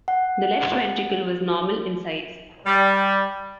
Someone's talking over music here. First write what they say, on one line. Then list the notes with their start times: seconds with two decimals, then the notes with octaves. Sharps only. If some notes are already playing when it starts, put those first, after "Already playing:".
The left ventricle was normal in size.
0.08 F#5
2.66 G3